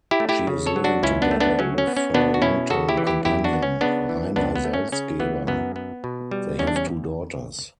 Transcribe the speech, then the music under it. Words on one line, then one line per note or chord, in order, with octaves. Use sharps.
She is living together with her longtime companion Rainer Salzgeber; they have two daughters.
E4 G4
A3
E4 G4
C#3
A4 C#5
F#3
D4 F#4
C#2 C#4 E4
B3 D4
A3
B3 D4
F#3 C#4
C#4
B3
C#4
B2 B3 D4
F#4
B2 C#4 E4
C#3 F#4 A4
E4 G4
E3
E4 G4
E2 E4 G4
D4 F#4
B3
C#4
C#3 B3 D4
E3
C#2 B3 D4
B3
A3
C#4
C#3 C#4
E3 B3
F#2 B3
B3
B2
G3
E2 C#4
D4
C#4